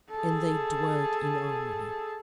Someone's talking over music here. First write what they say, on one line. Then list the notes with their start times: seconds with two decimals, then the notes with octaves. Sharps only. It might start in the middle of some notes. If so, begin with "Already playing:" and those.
And they dwelt in harmony.
0.11 G#4 A4